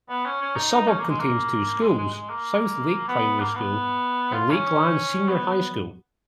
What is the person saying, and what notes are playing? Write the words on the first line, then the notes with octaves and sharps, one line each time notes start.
The suburb contains two schools: South Lake Primary School and Lakeland Senior High School.
B3
C#4
C#4
D#4
D#4
C#4
A#3
G#3
A#3
G#3
G#3
G#3
A#3
B3
A#3
B3
F4
C#4
B3